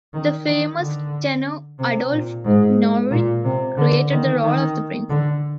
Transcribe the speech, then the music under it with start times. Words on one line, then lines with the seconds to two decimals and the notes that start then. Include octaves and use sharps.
The famous tenor Adolphe Nourrit created the role of the Prince.
0.13 D#3
0.46 D#3
0.79 D3
1.79 C3
2.12 A#2
2.45 G#2
3.11 A#2
3.44 C3
3.78 D3
4.11 D#3
4.44 D#3
5.10 D3